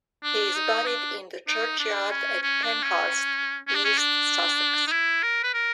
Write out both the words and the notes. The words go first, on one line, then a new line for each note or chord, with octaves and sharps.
He is buried in the churchyard at Penhurst, East Sussex.
D4
D#4
D4
D#4
D4
C#4
C#4
D4
C#4
C#4
D4
C#4
D4
D#4
E4
A#4
B4
A#4